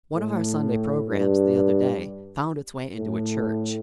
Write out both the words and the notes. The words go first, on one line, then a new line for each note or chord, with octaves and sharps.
One of our Sunday programs, the other day, found its way into a church.
A2
G2
A2